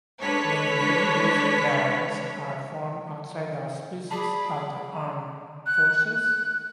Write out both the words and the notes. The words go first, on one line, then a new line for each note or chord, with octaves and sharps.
Many navy based bands are formed outside the auspices of the armed forces.
G#3 D4 A4 B4 C#5 B6
G#4 D5 A5 B5
F#6
F#6